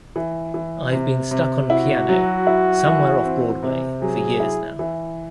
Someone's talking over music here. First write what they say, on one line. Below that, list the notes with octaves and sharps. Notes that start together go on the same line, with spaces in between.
I've been stuck on piano, somewhere off Broadway, for years now.
E3
E3
C3
C3
E4 F#4
F#3
E4
E3
C4
C3
F#3 G#4
E4
E3